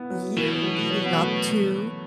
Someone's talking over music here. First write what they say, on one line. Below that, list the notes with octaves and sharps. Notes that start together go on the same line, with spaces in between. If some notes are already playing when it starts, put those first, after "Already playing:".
year leading up to,
Already playing: B3 E4
F#3
B2 E3
F#3
F#3
B3
A3